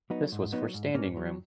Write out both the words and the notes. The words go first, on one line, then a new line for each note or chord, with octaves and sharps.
This was for standing room.
F#3 B3 D#4
G#2
F#3 B3 D#4
G#2
G#2 A#3 C#4
F#3